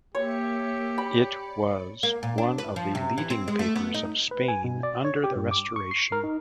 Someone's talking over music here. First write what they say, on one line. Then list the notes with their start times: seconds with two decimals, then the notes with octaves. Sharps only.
It was one of the leading papers of Spain under the Restoration.
0.15 A#3 G4 C#5 E5 C#7
0.98 D5 B5 C#7
2.03 A#3
2.23 A#2
2.38 D4
2.58 B4
2.76 F3
2.95 C3
3.18 E3
3.30 C4
3.48 G#3
3.59 A3
3.76 B3
3.94 D#4
4.31 B4
4.48 G#5
4.64 B2
4.83 D5
5.05 C#5
5.24 G4
5.36 G2
5.51 D6
5.76 C#6
5.91 C7
6.12 A#4
6.24 D#4